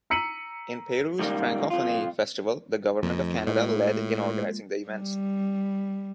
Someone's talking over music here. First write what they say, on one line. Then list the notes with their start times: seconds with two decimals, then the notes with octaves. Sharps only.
In Peru's Francophonie festival, the Government of Canada led in organizing the events.
0.10 A#5 E6 B6 C#7 D#7 F#7
1.19 C#2 D#3 G3 A3 A#3
1.70 F2 F4
3.03 F2 F3 A3 D#5
3.47 A2 G#3 A#3 F4
4.88 G3